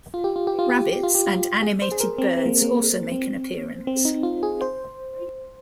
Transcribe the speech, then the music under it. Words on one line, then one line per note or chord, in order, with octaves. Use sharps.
Rabbits and animated birds also make an appearance.
F4
G4
F4
G4
F4
G4
F4
G4
F4
G4
F4
G#4
C5
G#4
A#4
C4
C4
A#3
A#3
C4
C4
D#4
F4
G#4
C5